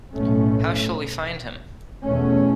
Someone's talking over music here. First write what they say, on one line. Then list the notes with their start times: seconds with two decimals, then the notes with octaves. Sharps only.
How shall we find him?
0.15 B1 A2 A3 C#4
2.05 E2 B2 A3 C#4